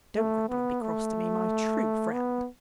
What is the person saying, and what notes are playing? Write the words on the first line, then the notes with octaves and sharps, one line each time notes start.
Don't grumble and be cross to me, my true friend.
A3
B3
A3
B3